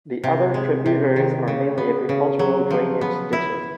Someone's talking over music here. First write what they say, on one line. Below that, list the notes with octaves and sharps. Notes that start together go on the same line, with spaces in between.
The other tributaries are mainly agricultural drainage ditches.
C3
G#3
C3
D#3
C#3
B3
C#3
F#3
F3
B3
E4